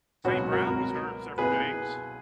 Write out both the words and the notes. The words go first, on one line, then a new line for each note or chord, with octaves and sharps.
St. Brown was hurt in several games.
C#2 B2 F#3 C#4 F#4
F#4 A#4
F#4 A#4
B1 B2 A#3 E4 G#4 B4